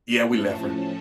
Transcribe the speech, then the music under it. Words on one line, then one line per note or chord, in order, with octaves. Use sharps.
Yeah, we left her.
A2 F3 A3 C#4 A5